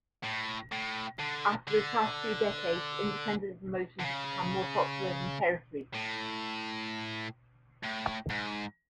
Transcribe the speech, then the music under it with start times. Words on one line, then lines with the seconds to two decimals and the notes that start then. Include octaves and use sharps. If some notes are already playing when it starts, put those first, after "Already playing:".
After the past few decades, independent promotions have become more popular than territories.
0.24 A2
0.72 A2
1.19 D3
1.67 D3
4.00 D3
4.04 C#3
5.94 A2
7.84 A2
8.30 G#2